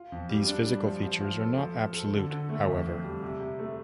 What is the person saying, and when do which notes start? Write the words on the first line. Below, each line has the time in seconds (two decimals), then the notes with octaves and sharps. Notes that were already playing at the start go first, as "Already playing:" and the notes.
These physical features are not absolute however.
Already playing: F4
0.12 F2
0.29 G3
0.47 D4
0.67 G2
0.84 F3
1.03 F3
1.21 F3
1.39 A4
1.57 F3
1.76 F3
1.94 A4
2.13 D3
2.30 D3
2.49 A3
2.67 F2
2.85 F2
3.03 G3
3.22 C3
3.40 C3
3.59 A3